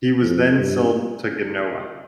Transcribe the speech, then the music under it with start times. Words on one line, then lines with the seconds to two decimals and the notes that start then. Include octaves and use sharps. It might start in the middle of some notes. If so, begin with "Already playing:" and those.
He was then sold to Genoa.
0.22 F2
0.58 G2